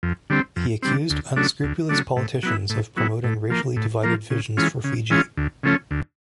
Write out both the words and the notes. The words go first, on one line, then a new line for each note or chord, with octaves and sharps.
He accused "unscrupulous politicians" of promoting racially divided visions for Fiji.
F2
D3 G3 C4
F2
D3 G3 C4
D2
C#3 F#3 A3 D4
D2
C#3 F#3 A3 D4
A2
F#3 B3 E4
A2
F#3 B3 E4
A2
F3 A#3
A2
F3 A#3
C#3
E3 G#3 C#4 F4
C#3
E3 G#3 C#4 F4
D2
C#3 F3 A3 C#4
D2